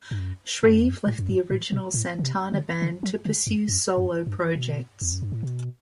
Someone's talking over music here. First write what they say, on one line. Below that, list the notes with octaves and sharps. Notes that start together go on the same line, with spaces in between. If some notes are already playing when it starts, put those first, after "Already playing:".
Shrieve left the original Santana band to pursue solo projects.
G2
F#2
G2
F#2
E2
F#2
A2
F#2
G2
A2
B2
A2
D3
C3
D3
D3
F#3
D3
F#2
F#2
F#2
G2
B2
E2
F#2
G2
A2
B2